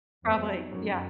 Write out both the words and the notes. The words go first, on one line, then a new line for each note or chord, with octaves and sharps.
Probably, yeah.
F2 B3
F#3
D#4
F#2 F#3
F#3